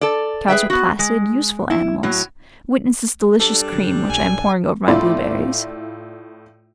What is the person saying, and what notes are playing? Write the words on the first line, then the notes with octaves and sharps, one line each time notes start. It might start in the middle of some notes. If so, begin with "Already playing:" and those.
Cows are placid, useful animals--witness this delicious cream which I am pouring over my blueberries.
A4 D5
G#4 B4 E5 G5
B3 F#4
G#3
E4
A2 F#3
G3 D4 A4
C#3 F#3
A#1 G#5
A2 E4 F4 D5 C6